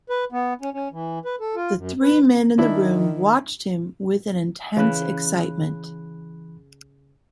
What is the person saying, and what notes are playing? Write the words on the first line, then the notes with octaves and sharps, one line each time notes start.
The three men in the room watched him with an intense excitement.
B4
B3
C#4
C#4
E3
B4
A4
F4
F#2
B4
D#3 D4 E4
C#3 E3 B5 F#6